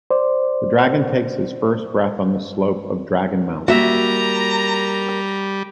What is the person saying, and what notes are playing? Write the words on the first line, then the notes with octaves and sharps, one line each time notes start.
The Dragon takes his first breath on the slope of Dragonmount!
C5 D5
G3 A#3 F#4 E5 A#5